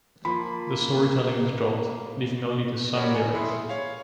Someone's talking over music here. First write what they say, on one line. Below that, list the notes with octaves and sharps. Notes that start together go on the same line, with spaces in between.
The storytelling is dropped, leaving only the sung lyrics.
F3 A#3 B5
F#4 G4 A#4 C#5 D5 B5
G#5 C#7
E4 G#4 B5 C6
C#5 F5